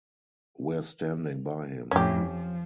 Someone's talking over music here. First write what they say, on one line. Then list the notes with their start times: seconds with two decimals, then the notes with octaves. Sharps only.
We're standing by him.
1.91 F2 A2 C#4 G4
2.25 F3